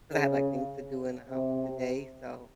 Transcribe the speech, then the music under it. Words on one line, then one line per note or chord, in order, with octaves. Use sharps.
cause I have, like, things to do in the house today, so
C#3
C3